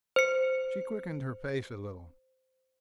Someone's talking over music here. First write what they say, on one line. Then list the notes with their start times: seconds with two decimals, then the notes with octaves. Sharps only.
She quickened her pace a little.
0.16 C5 C#7